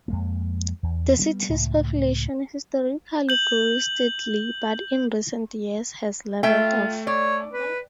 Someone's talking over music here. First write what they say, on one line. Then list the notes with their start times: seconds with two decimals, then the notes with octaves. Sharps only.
The city's population historically grew steadily, but in recent years has leveled off.
0.08 F2 G#3 A#3
0.83 E2
1.20 G3 B3
1.49 C#2 A2
3.29 G6 F#7
6.43 A3 F4 E5 G5
7.07 C#5 D5
7.53 B4